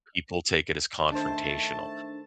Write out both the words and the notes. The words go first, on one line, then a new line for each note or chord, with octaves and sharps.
people take it as confrontational,
D#3 A3 D4 C5 A5